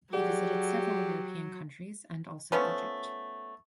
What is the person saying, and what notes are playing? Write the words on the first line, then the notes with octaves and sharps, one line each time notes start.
He visited several European countries and also Egypt.
F#3 G4 G#4 D5 F#5
F3 A3 B3 C#4